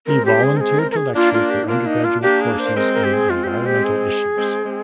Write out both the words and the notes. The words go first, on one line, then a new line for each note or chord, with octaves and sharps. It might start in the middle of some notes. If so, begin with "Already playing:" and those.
He volunteered to lecture for undergraduate courses in environmental issues.
G#3 C4 A#4
G4
G#4
A#4
G#4
A#4
A#4
G#4
A#3 D4 F4
F4
G4
D#4
A#3 D4 F4
D#4
F4
A#3 D4 G4
G#4
C5
A#3
G#3 C4 A#4
A#4
G4
G#4
G#3 C4 F4
G4
F4
G4
G#4
G#3 C4
G#3 C4